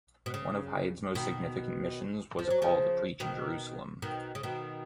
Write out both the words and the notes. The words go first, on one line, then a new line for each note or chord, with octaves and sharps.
One of Hyde's most significant missions was a call to preach in Jerusalem.
B2
C#3
B2 D#3
F3
F#3
C#3 F3
B2 D#3
B2 D#3
C#3
B2 D#3